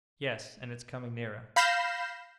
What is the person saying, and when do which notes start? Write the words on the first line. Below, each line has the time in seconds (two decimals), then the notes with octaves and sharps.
"Yes, and it's coming nearer."
1.56 F5 B5 G6 A#6 C7 E7